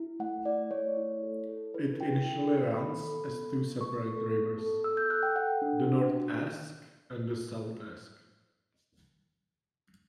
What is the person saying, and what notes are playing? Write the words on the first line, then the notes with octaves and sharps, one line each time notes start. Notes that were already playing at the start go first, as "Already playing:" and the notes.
It initially runs as two separate rivers: the North Esk and the South Esk.
Already playing: E4
A3 F#5
E4 D5
A3 C#5
E4
A4
A4
E4 B4
E4 G5
A4
A4
B3 B5
A4
B3
B3
B3 C#6
A4
B3
A4
A4 E6
G6
A4 F#6
G5
A4 F#5
D4
D4
F#4